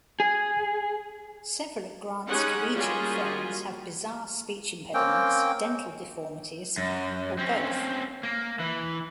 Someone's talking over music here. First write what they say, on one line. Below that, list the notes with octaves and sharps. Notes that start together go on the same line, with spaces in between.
Several of Grant's collegiate friends have bizarre speech impediments, dental deformities or both.
G#4
G#3 C#4 D#4 G4 F#5
G3 A#3 C#4 F4 F#4 G#4
A#3 C4 C#4 G5
F#2
C4 C#4
A#3
E3